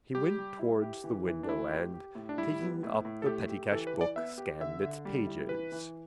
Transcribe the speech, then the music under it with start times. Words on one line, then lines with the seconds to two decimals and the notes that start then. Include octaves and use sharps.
He went towards the window and, taking up the pettycash book, scanned its pages.
0.15 G3 G4
0.38 G3
0.59 E4
0.82 G4
1.04 E3
1.27 E3
1.43 D4
1.49 A3 E4
1.71 G4
1.94 G4
2.15 A2
2.29 D4
2.38 G3 E4
2.60 B3
2.83 A2
3.05 A2
3.22 A4
3.26 A3 G4
3.49 G4
3.72 E3 A4
3.87 B4
3.94 E3
4.01 D5
4.16 B3 E5
4.38 G4
4.61 D3 E5
4.83 D3
5.05 G3
5.27 E4
5.49 E3 B4
5.72 E3